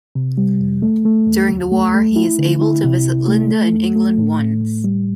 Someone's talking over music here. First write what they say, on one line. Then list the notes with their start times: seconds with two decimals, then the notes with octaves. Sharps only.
During the war, he is able to visit Linda in England once.
0.15 C3
0.38 G3
0.61 F2
0.82 A3
1.05 A3
1.27 E2
1.50 D2
1.71 A3
1.94 A3
2.16 E4
2.39 D3
2.61 E4
2.84 C3
3.06 C2
3.27 A3
3.51 A3
3.73 F2
3.95 A3
4.18 A2
4.40 A2
4.61 A2
4.84 G3